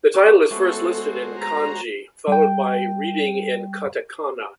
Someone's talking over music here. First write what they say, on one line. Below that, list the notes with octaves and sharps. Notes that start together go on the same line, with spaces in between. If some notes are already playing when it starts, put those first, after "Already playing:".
The title is first listed in kanji, followed by reading in katakana.
C#4 D6
G#3 A3 B3 F#4 A4 C5
A#5
G3 G5